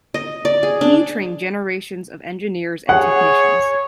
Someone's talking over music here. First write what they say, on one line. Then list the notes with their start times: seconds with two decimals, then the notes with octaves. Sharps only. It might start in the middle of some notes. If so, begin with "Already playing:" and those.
He trained generations of engineers and technicians.
0.14 D#5
0.45 D5
0.63 G#4
0.81 D4
2.89 G#4 C#5 F#5